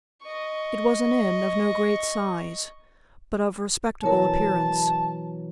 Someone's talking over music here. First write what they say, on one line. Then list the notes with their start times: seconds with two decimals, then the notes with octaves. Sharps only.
It was an inn, of no great size, but of respectable appearance.
0.22 D#5 C#6
4.03 B2 E3 F#3 A#4 C#5 A5